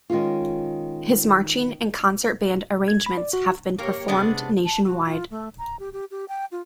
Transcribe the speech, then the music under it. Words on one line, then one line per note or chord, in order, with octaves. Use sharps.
His marching and concert band arrangements have been performed nationwide.
D#3 G#3 C#4 F4
G#6
B5
D5
F#4
A#3 G4 A#4 C#5
C3 G#3 B3 D4
A5
F#4
F4
A3
A#5
G4
G4
G4
G5
F4